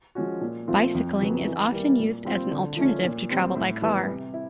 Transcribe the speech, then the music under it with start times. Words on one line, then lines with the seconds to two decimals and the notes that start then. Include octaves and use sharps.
Bicycling is often used as an alternative to travel by car.
0.15 F3 G#3 C#4 F#4
0.41 A#2
0.68 F3 A3 C4 F4
0.95 F2
1.20 C#3 F#3 B3
1.47 E3
1.72 G3 A#3
1.99 A#2
2.25 G3 C4 F4
2.51 D3
2.77 F3 A3 C#4
3.04 A#2
3.30 G3 C4
3.55 A2
3.82 E3 G3 B3
4.09 C3
4.34 E4